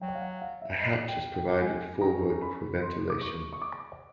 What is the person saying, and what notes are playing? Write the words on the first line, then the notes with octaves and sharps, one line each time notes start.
A hatch is provided forward for ventilation.
F#3 G5
F5
F#5
F5
E5
D#5
G5
G5
G#3 G#5
C#4 A#5
B5
C6
D6
C#6
C#6
D6